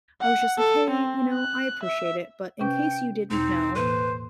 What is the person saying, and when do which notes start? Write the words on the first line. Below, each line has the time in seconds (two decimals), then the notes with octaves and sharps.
I was just like, "Hey, you know, I appreciate it, but in case you didn't know,
0.21 F#5
0.58 A4
0.90 C4
1.34 F#6
1.83 E5
2.61 C3 C#4 B4 G5
3.31 E2 B2 C4 D#4
3.75 A2 E3 A#3 B4 C5